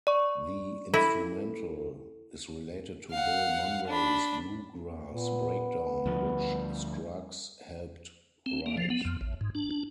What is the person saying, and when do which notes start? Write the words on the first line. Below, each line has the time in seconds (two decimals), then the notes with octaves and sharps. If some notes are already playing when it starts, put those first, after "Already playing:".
The instrumental is related to Bill Monroe's "Bluegrass Breakdown" which Scruggs helped write.
0.07 D5 C#6
0.94 E4 A4
3.11 F5 F#5
3.87 D4 B5
5.11 A#2 B3
6.06 D2 F3 G3
8.46 C4
8.66 A#3
8.77 F3
8.90 B3
9.05 F2
9.21 A1
9.41 G#2
9.55 D4
9.71 D4